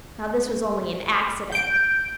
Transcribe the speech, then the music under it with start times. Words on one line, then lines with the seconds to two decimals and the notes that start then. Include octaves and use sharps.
Now, this was only an accident.
1.52 G6 D7